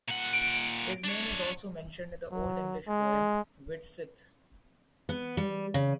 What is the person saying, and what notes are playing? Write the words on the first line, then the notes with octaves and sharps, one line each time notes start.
His name is also mentioned in the Old English poem "Widsith".
A#2 F#5
D7
D4 C#5
F#3
G#3
B3
G3
C#3